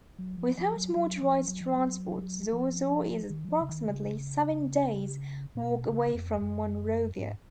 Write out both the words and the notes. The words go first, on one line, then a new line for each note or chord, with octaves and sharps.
Without motorised transport, Zorzor is approximately seven days' walk away from Monrovia.
F#3
F3
F3
F#3
F#3
F3
F#3
F3
F#3
F3
D#3
F#3
F3
C#3
D#3
C#3
A#2
B2
C#3
F2
F#2
G#2